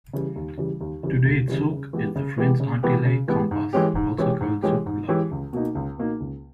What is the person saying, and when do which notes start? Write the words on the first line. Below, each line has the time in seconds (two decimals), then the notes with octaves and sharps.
Today, zouk is the French Antilles compas, also called zouk-love.
0.13 C#3 E3 G3
0.36 D#2
0.58 C#3 E3 G3
0.80 D#2
1.03 C#3 E3 G3
1.25 D#2
1.48 C#3 E3 G3
1.71 C#3
1.93 E3 G#3 B3 G4
2.16 C#3
2.38 E3 G#3 B3 G4
2.60 C#3
2.83 E3 G#3 B3 G4
3.05 C#3
3.28 E3 G#3 B3 G4
3.51 G#2
3.73 E3 G#3 C#4 G4
3.95 G#2
4.18 E3 G#3 C#4 G4
4.41 G#2
4.62 E3 G#3 C#4 G4
4.86 G#2
5.08 E3 G#3 C#4 G4
5.31 C#2
5.53 B2 A#3 D#4
5.75 C#2
5.98 B2 A#3 D#4
6.20 C#2